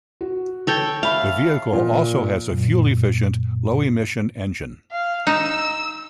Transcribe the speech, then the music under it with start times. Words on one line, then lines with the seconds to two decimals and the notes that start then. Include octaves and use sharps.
The vehicle also has a fuel-efficient, low-emission engine.
0.21 F#4
0.67 A4 C#5 G5
1.03 E5 F5 B5
1.73 A#2 F3
2.51 F#2 A#2
4.91 F5
5.27 D#4 E6